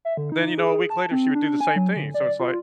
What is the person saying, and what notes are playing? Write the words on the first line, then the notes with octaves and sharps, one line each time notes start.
then, you know, a week later, she would do the same thing. So it's like
E5
D3
D#4
G#4
A5
C4
D4
G#5
F#3
D3
D5
F4